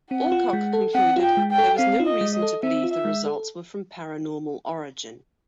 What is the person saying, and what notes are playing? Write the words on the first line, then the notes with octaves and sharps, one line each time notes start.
Alcock concluded there was no reason to believe the results were from paranormal origin.
C4 F#5
F4
G#3
A4
C4 F#5
F4
G5
G#3
G5
A4
C4 F5
F4
D#5
G#3
D#5
A4
C4 E5
F4
E5
G#3
A4